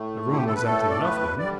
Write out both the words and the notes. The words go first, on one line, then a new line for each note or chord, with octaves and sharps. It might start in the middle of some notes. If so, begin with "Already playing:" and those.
The room was empty enough then.
Already playing: A2 A3
E4
G4
A4
B4
A2 A3 A4
D5
B4
D3 G3 D5